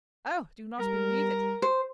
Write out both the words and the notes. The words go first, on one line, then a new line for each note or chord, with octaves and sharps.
Oh! do not believe it!
G3 A#4
C5